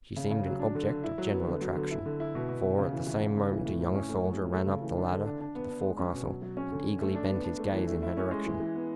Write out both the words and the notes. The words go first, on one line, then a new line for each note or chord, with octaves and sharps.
She seemed an object of general attraction, for at the same moment a young soldier ran up the ladder to the forecastle, and eagerly bent his gaze in her direction.
C#3
C#3
F#3
D4
D3
D3
E4
F#3
B3
D3
F#3
D3
E4
D3
E4
B2
B2
B2
C#3
E3
E3
C#3
C#3
E3
A2
A2
C#4
A2
F#3
A2
A3
C#3
E3
D4
D3
D4
D4
B3
D4
G#3
C#4
B2
F#3
F#3
C#4
D3
D3
A3
D4
B3
D4
A3
E3
A3
E4
C#4
G#3
E3
E3
B3